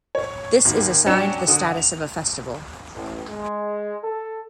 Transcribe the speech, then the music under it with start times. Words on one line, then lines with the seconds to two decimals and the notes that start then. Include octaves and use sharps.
This is assigned the status of a Festival.
0.15 C#5
0.65 G#1 D#2
1.06 F#3 C#4 D4 G5 C#7 E7
1.48 D3 D#6
1.77 F7
2.95 A1
3.29 G#3
4.04 A4